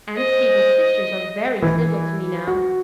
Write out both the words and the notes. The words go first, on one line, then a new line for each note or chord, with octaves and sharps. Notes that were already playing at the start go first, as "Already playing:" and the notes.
And Stephen's sisters are very civil to me now.
C5 D#5
E3
F#4